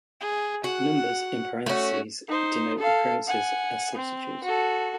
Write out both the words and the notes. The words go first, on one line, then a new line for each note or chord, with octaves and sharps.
Numbers in parentheses denote appearances as substitute.
G#4
F#4 F#5
A3 C#4 F#4
D#4 C5
A4 F5
F#5 G#5
C4
F#4 A4